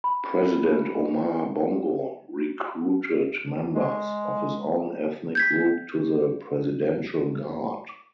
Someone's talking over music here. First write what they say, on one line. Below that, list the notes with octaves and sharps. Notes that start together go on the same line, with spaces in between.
President Omar Bongo recruited members of his own ethnic group to the Presidential Guard.
B5
G#3
G6 G#6 B6